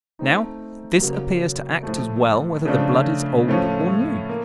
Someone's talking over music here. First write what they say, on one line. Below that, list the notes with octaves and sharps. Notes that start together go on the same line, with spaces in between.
Now, this appears to act as well whether the blood is old or new.
A3 C4 D#4
C#3 F#3 A#3
A2 F3 A3
C#3 F3 A3 D4 F4
A2 F3 A3 C#4 F4
A#3